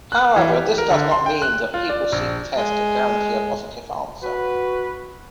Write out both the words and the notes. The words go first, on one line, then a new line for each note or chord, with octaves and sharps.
However, this does not mean that people seek tests that guarantee a positive answer.
F#6
E3
G4
A#4
D3
C6
G5
F#6
F4
D5
A#1
G#3
F#4 B4